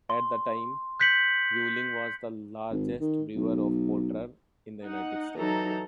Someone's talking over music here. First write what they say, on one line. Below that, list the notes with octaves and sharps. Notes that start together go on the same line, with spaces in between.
At the time, Yuengling was the largest brewer of porter in the United States.
C6
F#6 G6 B6 C#7 F#7
G#1
D#3
B1
D#4 F#5
E3 F#3 D#4 A4 A#5